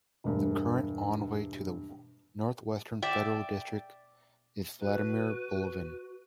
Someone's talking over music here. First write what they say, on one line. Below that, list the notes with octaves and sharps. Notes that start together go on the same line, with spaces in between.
The current Envoy to the Northwestern Federal District is Vladimir Bulavin.
E1 G2
D5 E5 G5
F#4 B4